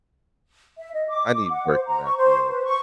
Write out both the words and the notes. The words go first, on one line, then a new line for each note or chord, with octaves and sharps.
I need work in that field.
E5
D#5
D6
D6
F#5
C5
A#5
C#6
C5
B4
C#6